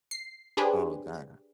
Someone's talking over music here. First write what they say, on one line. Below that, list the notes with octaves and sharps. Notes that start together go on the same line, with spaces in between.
Oh, god.
C7
D4 G4 G#4 B4 C5